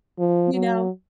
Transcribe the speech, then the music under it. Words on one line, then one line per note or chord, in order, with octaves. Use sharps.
you know,
F3
F#3